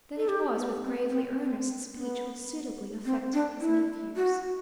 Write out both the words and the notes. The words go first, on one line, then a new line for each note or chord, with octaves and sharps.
Then it was with gravely earnest speech which suitably affected his nephews.
A4
G4
B3
C4
C4
C4
B3
C4
D4
E4
F#4